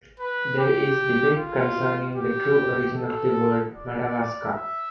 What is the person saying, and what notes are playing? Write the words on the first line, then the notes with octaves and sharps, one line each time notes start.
There is debate concerning the true origin of the word "Madawaska".
B4
G4
F4
G4
A4
D5
E5